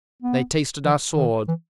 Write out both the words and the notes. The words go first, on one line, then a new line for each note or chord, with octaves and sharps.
They tasted our swords.
B3
E3
D#3
E3